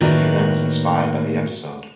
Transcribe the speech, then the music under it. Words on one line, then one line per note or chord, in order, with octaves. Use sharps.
The event was inspired by the episode.
A2 D#3 A#3 D4 F#4 B4